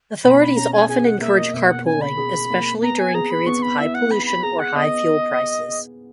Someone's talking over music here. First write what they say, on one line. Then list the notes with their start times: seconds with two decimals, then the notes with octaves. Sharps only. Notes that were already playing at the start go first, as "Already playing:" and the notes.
Authorities often encourage carpooling, especially during periods of high pollution or high fuel prices.
0.24 B2 B5
0.41 B5
0.57 C#4 A#5
0.73 G#5
0.89 G#4 G#5
1.05 F#5
1.21 A#3 E5
1.37 D#5
1.53 B2 E5
1.69 F#5
1.85 C#4 G#5
2.01 B5
2.17 G#4
2.50 A#3
2.82 B3 A#5
2.99 G#5
3.14 G#4 A#5
3.30 B5
3.47 B3 C#6
3.62 B5
3.78 E4 E5
3.94 F#5
4.11 B3 B5
4.26 B5
4.43 G#4 A#5
4.59 F#5
4.75 B3 D#5